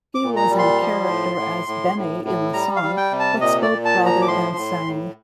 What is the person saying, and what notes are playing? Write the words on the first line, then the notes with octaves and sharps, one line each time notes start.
He was in character as Benny in the song, but spoke rather than sang.
D6
A#2
A#5
G3
C6
F3
A2
A2
A2
A2
A2
G3 A#5
F5
G3
G5
C3
A5
A#2 D#5
D5
A#2
A5
F3
A#5
D6
A2 C6
A2
A2